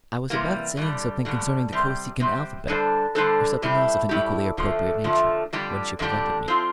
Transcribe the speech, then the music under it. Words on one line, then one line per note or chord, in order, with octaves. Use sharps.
I was about saying something concerning the Kosekin alphabet or something else of an equally appropriate nature, when she prevented me.
C3 E3 G3 A#3
G2 D3 G3
G2 D3 G3
C3 G3 C4 G4
C3 G3 C4 G4
D3 G3 D4 A4 C5
D3 G3 D4 A4 C5
A2 G3 C4 E4 G4
A2 G3 C4 E4 G4
F2 D3 F3 A3
F2 D3 F3 A3
F2 D3 G3 D4 G4
F2 D3 G3 D4 G4
F3 C4 F4